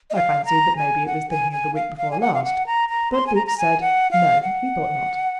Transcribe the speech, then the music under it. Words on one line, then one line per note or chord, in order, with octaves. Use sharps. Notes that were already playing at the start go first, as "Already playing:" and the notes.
I fancied that maybe it was thinking of the week before last, but Boots said, No, he thought not.
D#5
F5
A#5
G#5
F#5
G#5
G#5
F5
F5
G#5
F#5
F5
F#5
A#5
A#5
C6
G#5
A#5
A#5
G#5
F#5
F5
F#5